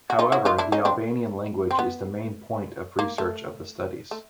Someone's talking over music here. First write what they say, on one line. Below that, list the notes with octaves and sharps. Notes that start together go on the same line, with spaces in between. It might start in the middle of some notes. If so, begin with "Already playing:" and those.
However the Albanian language is the main point of research of the studies.
F#4
D#4 F4
E4 F#4
D#4 F4
D4 E4
C#4 D#4
C4 D4
C4
B3
A#3
A3
A3